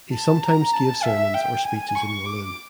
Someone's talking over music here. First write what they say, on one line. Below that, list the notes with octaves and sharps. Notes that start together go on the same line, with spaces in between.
He sometimes gave sermons or speeches in Walloon.
A5
A#5
A5
E5
G5
G#5
C#6
D6